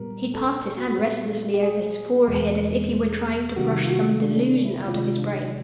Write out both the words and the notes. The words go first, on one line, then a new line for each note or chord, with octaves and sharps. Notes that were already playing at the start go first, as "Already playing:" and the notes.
He passed his hand restlessly over his forehead, as if he were trying to brush some delusion out of his brain.
Already playing: A#2 G3 B3 A#4
A4
F#4
F#4
A#2 G3 B3 G4
G4
G#4
E2 B2 G#3
C3 D#3 G3 A#3 F#4
F4
F#4
D4
C#4
D4
E4
C3 D#3 G#3 F4
D4
D#4
D4